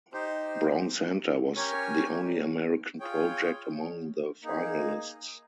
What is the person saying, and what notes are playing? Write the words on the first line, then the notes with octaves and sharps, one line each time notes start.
Brown Center was the only American project among the finalists.
D#4 G4 C5
C#4 G4 A#4 C#5 G#5
F4 G#4 C#5 G5
A#3 D#4 G#4